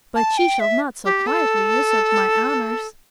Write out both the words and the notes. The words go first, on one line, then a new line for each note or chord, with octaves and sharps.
But she shall not so quietly usurp my honors.
A5
G5
E5
G4
A4